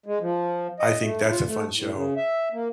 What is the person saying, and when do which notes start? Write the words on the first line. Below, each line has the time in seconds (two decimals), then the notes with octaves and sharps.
I think that's a fun show.
0.06 G#3
0.21 F3
0.80 D#5
1.01 A3
1.29 F4
1.46 A3
1.76 A2
1.92 C#3
2.17 E5
2.53 A#3